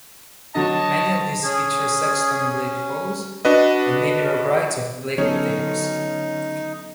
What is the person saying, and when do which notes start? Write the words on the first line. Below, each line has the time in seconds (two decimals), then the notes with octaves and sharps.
Many of these feature Sexton Blake foes and may be rewrites of Blake tales.
0.55 D3 F#3 C#5 D#5 A5
1.44 C#4 G#4
3.45 D4 F#4 B4 D#5
5.18 D3 F#3 B3 C#4 D#4 A4 C#5